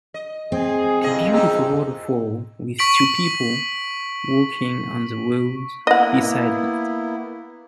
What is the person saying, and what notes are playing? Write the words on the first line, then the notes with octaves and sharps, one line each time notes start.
A beautiful waterfall with two people walking on the road beside it.
D#5
C4 G#4
C2 F2 G#4 D#5
D#4 G4 G#4 A#5 E6
C#6 B6 D7 F#7
A#3 B3 E4 D#5 F#5